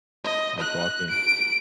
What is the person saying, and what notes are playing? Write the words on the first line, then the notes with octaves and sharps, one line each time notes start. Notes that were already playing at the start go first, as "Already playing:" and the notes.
like walking.
D#5
F#6
D7